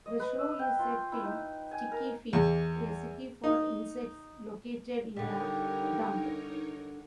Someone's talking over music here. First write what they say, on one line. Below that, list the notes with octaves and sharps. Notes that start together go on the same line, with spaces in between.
The show is set in Stickyfeet, a city for insects located in a dump.
D#5
B4
E5
G5
F4
E4
D#4
G#5
A#4
E2
D#4
D3 G3 D#4 G4 A#4 C#5